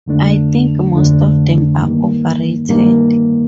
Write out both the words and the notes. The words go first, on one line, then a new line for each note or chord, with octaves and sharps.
I think most of them are overrated.
F2 D3 A3 D4
F2 D3 A3 D4
G2 D#3 A#3
G2 D#3 A#3